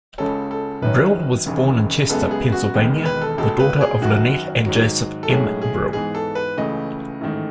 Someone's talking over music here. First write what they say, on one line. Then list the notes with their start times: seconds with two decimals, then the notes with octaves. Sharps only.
Brill was born in Chester, Pennsylvania, the daughter of Linette and Joseph M. Brill.
0.18 C#2 C#3 G#3 C#4 A4
0.51 A4
0.82 F#2 D#3 F#3 C#4 B4
1.46 E1 D#2 C#3
2.09 F#2 C#3 G#3 B3 A4
2.31 G#4
2.52 F#4
2.74 E1 D#2 D#3 G#3 B3
3.05 B4
3.22 A4
3.38 C#2 B2 G#3 A4
3.60 B4
3.81 G#4
4.01 G#1 F#2 D#3 F#4
4.66 G#2 D#3 F#3
5.23 A4
5.29 B1 A2 G#3 C#4 G#4
5.62 G#4
5.93 G#2 E3 G#3 B3 G#4
6.15 A4
6.35 B4
6.57 C#2 C#3 E3 A3 D#5
7.21 A1 G#2 D#3 A3